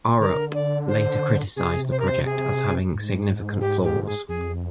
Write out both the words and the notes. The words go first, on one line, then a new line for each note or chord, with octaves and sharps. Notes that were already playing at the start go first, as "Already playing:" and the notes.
Arup later criticised the project as having significant flaws.
D3 A#4
D5
C5
C3 G#4
C5
A#4
C5
G#4
G#2
G4
G4
G#4
F2 G#4